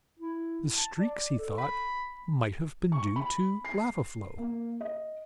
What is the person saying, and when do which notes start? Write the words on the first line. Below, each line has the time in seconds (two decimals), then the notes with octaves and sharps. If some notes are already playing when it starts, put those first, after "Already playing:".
The streaks, he thought, might have been due to lava flow.
0.20 E4
0.76 A5
1.00 D5
1.38 A4
1.58 B5
2.92 C#6
3.16 B5
3.65 C7
4.38 A#3
4.80 D#5